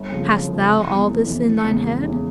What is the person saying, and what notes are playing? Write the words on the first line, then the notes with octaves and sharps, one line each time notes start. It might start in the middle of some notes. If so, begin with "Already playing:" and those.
Hast thou all this in thine head?
Already playing: G1
F2 C#3 F3
G1
F2 C#3 F3
F1
E2 E3
F1
E2 E3
E1
E2 C#3 E3
E1
E2 C#3 E3